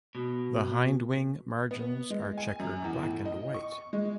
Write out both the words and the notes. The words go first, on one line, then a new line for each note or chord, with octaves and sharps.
The hindwing margins are chequered black and white.
B2
B3
G#3
G#5
F#2
E2
A2
D#5
C#6
G#3